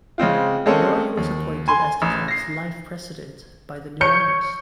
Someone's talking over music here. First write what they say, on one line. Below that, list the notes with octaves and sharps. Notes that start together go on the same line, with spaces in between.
Murray was appointed as the club's Life President by the new owners.
C#3 G#3 C4 F4
G#3 A#3 C4 C#4 A4
D#2
G#5 C6
A1
A#6 C7
C#5 G6 C#7